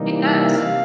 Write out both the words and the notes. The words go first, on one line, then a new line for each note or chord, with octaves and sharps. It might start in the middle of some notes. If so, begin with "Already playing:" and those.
It does.
Already playing: C3 E3 G3 A#3 D#4
E5
F5